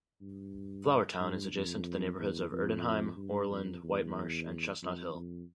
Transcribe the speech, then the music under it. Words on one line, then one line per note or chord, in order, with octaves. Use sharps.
Flourtown is adjacent to the neighborhoods of Erdenheim, Oreland, Whitemarsh, and Chestnut Hill.
G2
G2
F2
E2
F2
G2
F2
E2
F2
F2